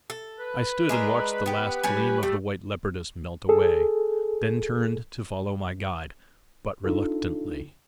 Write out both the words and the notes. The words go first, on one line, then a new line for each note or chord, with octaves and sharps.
I stood and watched the last gleam of the white leopardess melt away, then turned to follow my guide--but reluctantly.
A4
B4
G#3 D4 A#4
B3 G4
G3 C#4 G#5
G3 A3
G#4 A4
D4 D#4 F4 A4